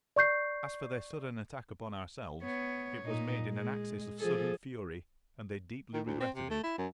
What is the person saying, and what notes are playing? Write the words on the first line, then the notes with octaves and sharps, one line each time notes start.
As for their sudden attack upon ourselves, it was made in an access of sudden fury, and they deeply regretted it.
D5 C#6 G6 C7
B3 C#5
A#2 D#4
G#3
F3 G#4 A4
D#3
D2
C4
C3
A3
E4
F#2